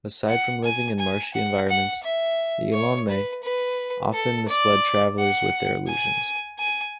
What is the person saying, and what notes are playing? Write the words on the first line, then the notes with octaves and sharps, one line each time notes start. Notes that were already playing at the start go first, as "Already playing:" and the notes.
Aside from living in marshy environments, the Eleionomae often misled travelers with their illusions.
F#5
G#5
G#5
F#5
F#5
E5
C#5
B4
B4
A4
D5
F#5
G#5
G#5